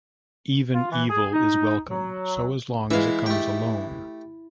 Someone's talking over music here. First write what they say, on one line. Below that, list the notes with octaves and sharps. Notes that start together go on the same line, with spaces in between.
Even evil is welcome so as long as it comes alone.
F4
E3
G#4
D#4
F#3
E3 G#3 E4 E5 F5
A3 G4